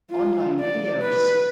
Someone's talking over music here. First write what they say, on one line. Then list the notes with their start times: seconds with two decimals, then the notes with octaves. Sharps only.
Online videos!
0.11 F4
0.60 D5
1.02 B4